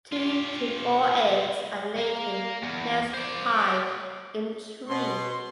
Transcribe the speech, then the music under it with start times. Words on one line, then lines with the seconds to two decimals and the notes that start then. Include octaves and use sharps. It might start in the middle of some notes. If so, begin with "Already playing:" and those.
Two to four eggs are laid in a nest high in a tree.
0.12 F4 G4
1.97 A#3
2.63 E2
3.14 C5 D5
4.88 B2 C6